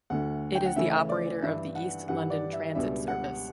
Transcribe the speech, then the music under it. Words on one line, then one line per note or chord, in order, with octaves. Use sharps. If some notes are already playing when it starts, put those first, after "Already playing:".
It is the operator of the East London Transit service.
D2 D3 A3 F#5
G5
F#5
C#3 E3 A3 C#4 E5
D5
G2 E3 G3 D4 E5
F#5
G2 E3 G3 F#5
D5
E5
C#2 B2 G3 B3 D4 E5
F#5